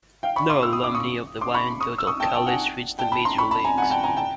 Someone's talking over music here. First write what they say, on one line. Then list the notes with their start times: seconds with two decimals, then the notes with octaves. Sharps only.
No alumni of the Wyandotte Alkalis reached the major leagues.
0.23 F5 G5
0.36 B5 C#6
0.50 C6 D6
0.63 E6
0.73 D#6
0.84 D6
0.95 C#6 D#6
1.41 C6 D6
1.54 B5 C#6
1.81 C#6 D#6
1.98 E6
2.07 C#6 D#6
2.20 G5 A5
2.34 G5 A5
2.46 F#5 G#5
2.99 G5 A5
3.12 A5 B5
3.25 A#5 C6
3.38 B5 C#6
3.51 A5 B5
3.65 G#5 A#5
3.78 F#5 G#5
3.90 G5 A5
4.03 G#5 A#5
4.17 G5 A5